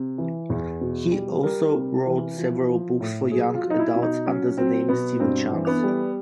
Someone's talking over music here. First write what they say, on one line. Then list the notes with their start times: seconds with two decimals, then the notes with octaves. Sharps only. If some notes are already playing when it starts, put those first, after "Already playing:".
He also wrote several books for young adults under the name Stephen Chance.
Already playing: C3
0.18 E3
0.50 E2
0.81 B2
1.12 G3
1.43 G3 A#4
1.75 C3
2.06 E3
2.37 F3
2.69 F3
3.00 A2
3.32 F#3 G#4
3.55 F4
3.63 F#3
3.70 D#4
3.79 E4
3.95 B2
4.02 D#4
4.26 F#3 C#4
4.58 F#3 C4
4.89 B2 B3
5.20 G2 C4
5.52 E3
5.67 B3
5.83 G3